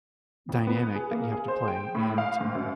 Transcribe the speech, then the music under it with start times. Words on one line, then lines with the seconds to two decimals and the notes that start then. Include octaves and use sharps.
dynamic that you have to play, and
0.49 F2
0.67 B3
0.95 G#4
1.11 A#3
1.32 G#4
1.48 C5
1.68 G5
1.95 A2
2.18 F5
2.41 G#2
2.55 F#2